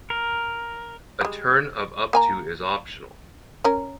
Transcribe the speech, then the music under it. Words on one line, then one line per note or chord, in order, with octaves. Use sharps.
A turn of up to is optional.
A#4
G3 G#3
A#3 G#5 A#5
C#4 A#4